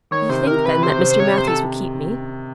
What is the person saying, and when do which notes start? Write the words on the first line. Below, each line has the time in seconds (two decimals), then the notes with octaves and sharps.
"You think then that Mr. Matthews will keep me?"
0.11 D#3 C#5
0.29 C3 C5
0.47 C3 A#4
0.65 C3 B4
0.83 C3 C5
1.01 C3
1.10 C5
1.19 C3 C#5
1.37 C3 C5
1.48 A4